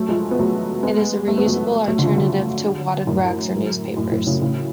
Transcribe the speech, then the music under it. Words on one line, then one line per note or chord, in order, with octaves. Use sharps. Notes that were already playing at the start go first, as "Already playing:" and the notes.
It is a reusable alternative to wadded rags or newspapers.
Already playing: F#3 A3
F3 G#3
B3
F#3 A3
G#3 B3
A3
B3
F#3 A3
F#3 A3
D3
C#3 F3
D3 F#3
F#2 A2
F#2 A2
F#2 A2
A2 C#3
A2 C#3